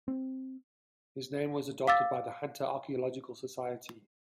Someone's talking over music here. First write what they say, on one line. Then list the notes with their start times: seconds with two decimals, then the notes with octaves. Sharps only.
His name was adopted by the Hunter Archaeological Society.
0.08 C4
1.87 F5 D6 E6 A6